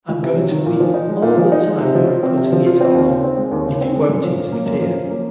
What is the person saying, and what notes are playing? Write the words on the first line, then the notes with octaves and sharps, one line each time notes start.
I'm going to weep all the time you're cutting it off, if it won't interfere.
C#2
C3
F#3
D#3
A#2
F3
D#4
G#3
A#2
F3
D#4
G#3
C3
F3
F4
C4
C3
F3
F4
C4
D#2
C#3
C4
G#3
D#2
C#3
C4
G#3
F#2
F3
C#4
A#3
F#2
F3
C#4
A#3